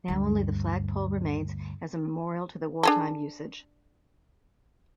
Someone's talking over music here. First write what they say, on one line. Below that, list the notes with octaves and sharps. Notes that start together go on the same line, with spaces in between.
Now only the flag pole remains as a memorial to the wartime usage.
D2 G2
D4 G#4 A4